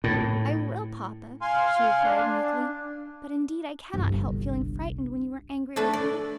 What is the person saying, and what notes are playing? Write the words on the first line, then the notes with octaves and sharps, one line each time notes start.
"I will, papa," she replied meekly; "but indeed I cannot help feeling frightened when you are angry with me."
A2
F5 G#5 C6
D4
G1 C2
A3 D4 A4 B4
D5